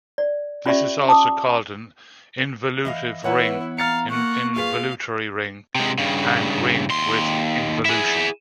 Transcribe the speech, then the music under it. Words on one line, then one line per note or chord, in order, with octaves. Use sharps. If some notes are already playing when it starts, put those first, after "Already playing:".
This is also called an involutive ring, involutory ring, and ring with involution.
D5
C#4 F4 G4 D5 E5 C#6
A5 D6 D#6
E3 D#5 F5
E3 B3 E4 B4 C#5 F#5
F5 A#5 F6 A6 C#7
A#3 F#5 C#6
F4 G#4 B4 F5
C3 G#3
G2 C#3
D#2 C6
E4 G#4